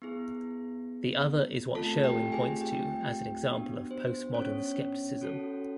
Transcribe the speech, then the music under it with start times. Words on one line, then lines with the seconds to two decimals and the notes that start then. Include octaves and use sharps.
The other is what Sherwin points to as an example of postmodern skepticism.
0.02 B3 E4 G#4
1.74 A3 C4 F4 A4 A5
2.04 G4 G5
2.32 G#4 G#5
2.61 G4 G5
3.48 B3 D4 F#4
3.91 C5
4.34 C#4 C#5
5.21 C#4 F#4 A4